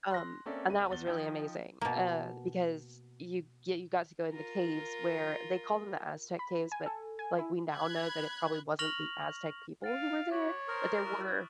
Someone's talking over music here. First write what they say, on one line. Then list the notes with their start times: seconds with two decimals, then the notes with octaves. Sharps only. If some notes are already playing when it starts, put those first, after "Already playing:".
um, and that was really amazing, uh, because you yeah, you got to go in the caves where they call them the Aztec caves, but, like, we now know that it probably wasn't the Aztec people who were there, but there were,
0.10 C6 F#6 A#6
0.46 A#3 C4 C#4 A4 D5 E5
0.69 C2 D#7
0.90 E2 A6 G7
1.07 F3 D#4 G5 G6 G#6
1.81 B2 A#3
4.31 F4 A#4
6.39 B5
6.72 G#5
6.86 A4
7.19 G#5
7.39 E4
7.71 B5 F#6 G#6
8.79 C#6 F6 A#6 F7 F#7
9.84 F5 A6 D7 D#7
10.31 F#4 C#5 D6 B6 F#7
10.68 A#4 C5 D#6 F6
11.05 E4 C#6 F#6